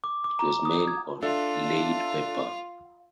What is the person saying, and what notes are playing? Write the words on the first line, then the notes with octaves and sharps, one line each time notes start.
It was made on laid paper.
D6
D6
A#5
D#6
G#6
D4 F4 A4 E5